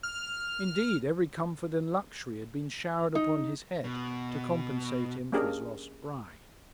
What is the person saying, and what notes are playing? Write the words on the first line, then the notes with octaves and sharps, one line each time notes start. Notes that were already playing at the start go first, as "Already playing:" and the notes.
Indeed, every comfort and luxury had been showered upon his head to compensate him for his lost bride.
F6
D#4
B2
A#3 C#4 D4 G4 G#4 A#4